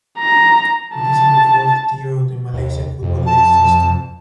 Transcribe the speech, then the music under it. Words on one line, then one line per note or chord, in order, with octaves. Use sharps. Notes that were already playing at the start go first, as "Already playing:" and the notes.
It is in the fourth tier of the Malaysia football league system.
A#5
A5
D#2
F2
A5